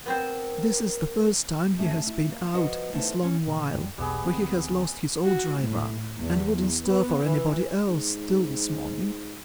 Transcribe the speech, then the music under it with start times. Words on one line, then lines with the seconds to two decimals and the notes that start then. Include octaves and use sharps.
This is the first time he has been out, this long while, for he has lost his old driver and wouldn't stir for anybody else, till this morning.
0.06 B3 C4 A#4 C5
1.78 F#2 F#3 A3
2.07 E4
2.30 A#3
2.54 F3 F#4 B4 D#5
2.93 D#3 A3 B3 C4 E4 A4
3.23 C#4
3.47 A#2 C#3 E3
3.72 F#2 G3
3.98 B1 E2 B2 G3 B3 G#4
4.25 D2 E3 C4
5.24 F#4
5.59 A2
6.19 E2
6.85 B3
7.26 E3
7.89 G#2